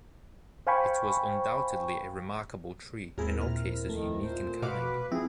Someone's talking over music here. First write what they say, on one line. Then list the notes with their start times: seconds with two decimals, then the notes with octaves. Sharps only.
It was undoubtedly a remarkable tree, in all cases unique in kind.
0.67 C5 F5 G5 G#5 B5 C#6
3.18 D#2 G#2 C4 E4 G#4 A#4
3.39 A#2 F6
3.89 A2 D#3 A3
4.23 A#2 C5
4.62 B2 F#4 B4 F5 D6
5.12 F3 C4 E4 G#4